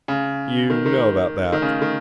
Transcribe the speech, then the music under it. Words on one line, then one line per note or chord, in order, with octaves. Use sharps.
"You know about that?"
C#3
D#3
D#3
D#3
C#3
D#3